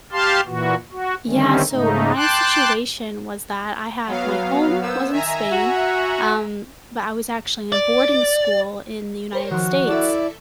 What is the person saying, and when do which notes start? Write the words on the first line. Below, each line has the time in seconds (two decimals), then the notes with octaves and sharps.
Yeah, so my situation was that I had my home was in Spain, um, but I was actually in boarding school in the United States,
0.12 G4 F5 A5 C6
0.47 A#2 E3 F#4
0.92 F#4
1.28 D3 D#3 G3 A3 C4 C#4
1.71 G#2 C#3 A3 D#4
2.16 G5 A5 C6 D6 F#6
4.06 F#3 B3 F5
4.81 A#3 B3 C5 E6
5.12 D#3 E5 G#5 A#5
5.51 F#4
7.72 D5
9.33 A#4 C5 C#5
9.51 D#3 F3 F#4
9.87 E4 A4 D5 E5